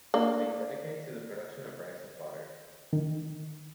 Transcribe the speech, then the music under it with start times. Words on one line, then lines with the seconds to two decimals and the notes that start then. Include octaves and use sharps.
They dedicate to the production of rice and fodder.
0.14 A#3 D4
2.93 D#3